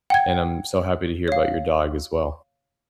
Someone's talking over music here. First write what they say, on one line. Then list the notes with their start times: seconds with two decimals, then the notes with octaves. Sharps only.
And I'm so happy to hear about your dog as well.
0.10 F#5 G5 G#6
1.28 C#5 F5